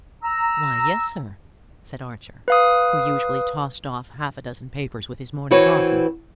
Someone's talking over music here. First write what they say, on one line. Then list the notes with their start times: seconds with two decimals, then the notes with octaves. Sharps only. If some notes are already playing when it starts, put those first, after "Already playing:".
"Why, yes, sir," said Archer, who usually tossed off half a dozen papers with his morning coffee.
0.23 A#5 E6
2.48 B4 F5 D#6
5.51 E3 C4 F#4 B4 C#5